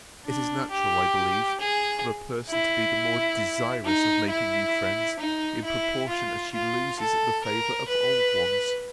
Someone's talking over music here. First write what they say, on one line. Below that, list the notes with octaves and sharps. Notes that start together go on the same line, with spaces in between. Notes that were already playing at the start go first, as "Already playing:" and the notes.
It is natural, I believe, for a person to be the more desirous of making new friends, in proportion as she loses the favour of old ones.
D4
G4
G#4
E4
D#4
E4
D#4
E4
F4
F4
A4
A#4
B4